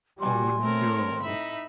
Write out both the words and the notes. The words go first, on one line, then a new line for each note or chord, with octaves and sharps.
Oh, no.
G3 F#4 G#5 C6
A3 C4 A#4 C#5
A2 D#4 E5 B5